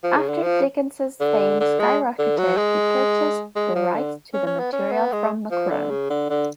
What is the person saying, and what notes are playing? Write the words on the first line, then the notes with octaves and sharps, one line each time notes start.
After Dickens's fame skyrocketed he purchased the rights to the material from Macrone.
F3
C#3
D3
F3
D3
D3
G#3
D3
F#3
G#3
G#3
F3
D3
C#4
C#4
B3
C#4
B3
G#3
F3
D3
C#3
D3
D3